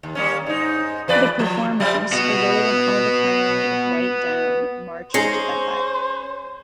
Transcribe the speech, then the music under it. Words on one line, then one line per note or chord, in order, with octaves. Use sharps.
The performers, arrayed in all the finery of white down, march to the hut.
D#2
G3 A#3 C#4
G#2 D#4
E2 B4 D5
F3
F#3 G3
B3 F#4
G#3 C#4 D#4 G#4 C5 A#6 C7 C#7